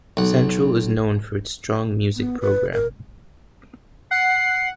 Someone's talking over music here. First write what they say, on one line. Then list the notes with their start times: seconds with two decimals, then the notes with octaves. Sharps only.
Central is known for its strong music program.
0.17 B1 F#5
2.16 B3
2.41 B4
2.73 A#4
4.11 F#5 C7